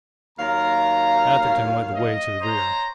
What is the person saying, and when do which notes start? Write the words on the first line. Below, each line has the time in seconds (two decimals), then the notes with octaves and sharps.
Atherton led the way to the rear.
0.38 D#2 F#3 F5 A#5
1.96 D#5
2.41 C5 C#5 A#5